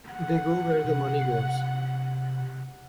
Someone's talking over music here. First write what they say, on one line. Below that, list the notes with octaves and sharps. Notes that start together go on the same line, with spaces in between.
They go where the money goes.
F#5
C3